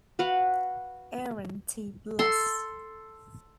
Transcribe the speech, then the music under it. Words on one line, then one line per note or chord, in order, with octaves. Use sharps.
Aaron T. Bliss.
F#4 B4 F5 F#5
A4 C6